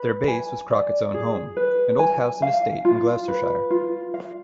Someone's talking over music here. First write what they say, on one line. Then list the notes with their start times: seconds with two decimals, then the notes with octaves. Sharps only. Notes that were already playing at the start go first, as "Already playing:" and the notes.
Their base was Crockett's own home, an old house and estate in Gloucestershire.
Already playing: B4
0.28 G#5
0.70 D5
1.14 G#4
1.57 B4
1.99 G#5
2.42 F5
2.85 F4
3.28 B4
3.70 F4
4.14 F5